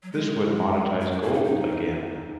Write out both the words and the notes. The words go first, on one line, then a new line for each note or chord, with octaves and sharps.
This would monetize gold again.
F#3
G#3
F#3
G#3
A#3
D#4
D#4